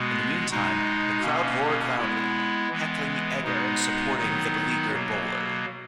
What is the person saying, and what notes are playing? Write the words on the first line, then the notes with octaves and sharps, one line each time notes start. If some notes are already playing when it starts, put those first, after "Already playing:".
In the meantime, the crowd roared loudly, heckling Egar and supporting the beleaguered bowler.
Already playing: B2 G#3 B3
B2 G#3 D#4
B2 A#3 C#4
G#3 B3 E4
E3 G#3 B3
B2 G#3 B3 D#4
D#3 F#3 B3 D#4
B2 F#3 A#3